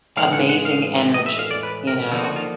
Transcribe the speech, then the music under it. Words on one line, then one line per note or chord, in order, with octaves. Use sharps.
amazing energy, you know?
A2 E3 G#3 F5
F#5
F#5
F5
D#5
E5
F5
D5
B4
A#4
D3 F3 A#3 D#4 A4
F#4
F4